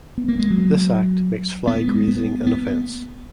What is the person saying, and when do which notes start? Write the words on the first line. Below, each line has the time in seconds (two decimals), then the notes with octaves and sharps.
This Act makes fly grazing an offence.
0.18 B3
0.28 A#3
0.39 G#3
0.51 F#3
1.67 B3
1.88 G#3
2.08 B3
2.46 B3